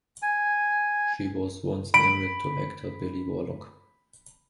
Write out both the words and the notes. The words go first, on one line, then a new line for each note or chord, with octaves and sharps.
She was once married to actor Billy Warlock.
G#5
B5 D7